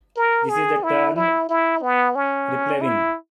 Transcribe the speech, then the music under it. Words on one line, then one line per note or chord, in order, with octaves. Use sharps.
This is termed "replevin".
A#4
G#4
E4
E4
E4
B3
C#4
E4